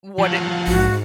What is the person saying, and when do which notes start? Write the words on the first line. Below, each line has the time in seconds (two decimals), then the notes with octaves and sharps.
what it w w
0.18 F3 F#3 F5 F#5
0.67 A#1 G#2 F#4